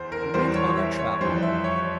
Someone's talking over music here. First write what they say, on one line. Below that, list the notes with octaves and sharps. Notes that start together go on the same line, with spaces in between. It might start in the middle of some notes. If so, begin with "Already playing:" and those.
We went on our travel.
Already playing: E2 C5
A#4
E2 E3 G3 C5
C#5
E5
C#5
F2 E3 G3 C5
E5
C#5